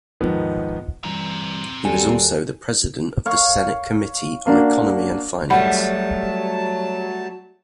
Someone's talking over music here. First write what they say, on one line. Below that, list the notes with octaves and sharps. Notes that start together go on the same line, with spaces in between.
He was also the President of the Senate Committee on Economy and Finance.
D#2 G#2 D#3 F3 B3
G2 E3 C4 A#5
D#2 G3 F#4 A4 G#5
C#5 F5 C#6
A#3 D4 F#4
F#3 G3 A3 F#5 A5 B5